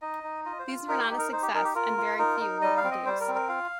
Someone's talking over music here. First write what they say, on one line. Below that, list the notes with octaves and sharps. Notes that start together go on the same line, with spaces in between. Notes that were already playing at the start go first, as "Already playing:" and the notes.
These were not a success and very few were produced.
D#4 D#5
D#4
F4 D#5
C5
F4
D#4 A#4
G4
D#4
A#4
D#4 C5
G4
D#4 A#4
G4
F4 A#4
F4
D#4 A#4
D#4
G3 D#5
F5
C4
D#5
G3 C5
A#4
C4
A#4
F4 F5